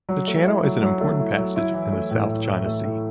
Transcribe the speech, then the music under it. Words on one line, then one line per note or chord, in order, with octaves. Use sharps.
The channel is an important passage in the South China Sea.
F#3
A3
E4
F#3
F#3
A3
E4
F#3
E4
E3
A3
A2
E4
E3
A3
A2